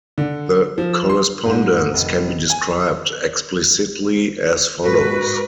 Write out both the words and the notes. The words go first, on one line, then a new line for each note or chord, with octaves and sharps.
The correspondence can be described explicitly as follows.
D3
F3
C6
G#2
F1
G#5
G#2 F#4 B4